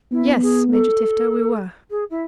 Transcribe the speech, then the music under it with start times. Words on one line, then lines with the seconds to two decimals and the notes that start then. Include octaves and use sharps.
"Yes, Major Tifto, we were."
0.12 B3 E4
0.42 G#4
0.71 A4
1.90 G#4
2.10 E4